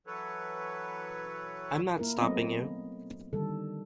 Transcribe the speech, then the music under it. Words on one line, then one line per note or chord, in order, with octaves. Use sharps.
I'm not stopping you!
E3 F#3 A4 B4 C#5
A#3 E4 A#4
F#3 A3 B3 C4 D#5
D3 D#3 G3 A4